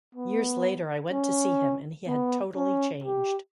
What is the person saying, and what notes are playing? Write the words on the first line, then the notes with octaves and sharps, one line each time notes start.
Years later, I went to see him and he had totally changed.
B3
C#4
B3
C#4
G4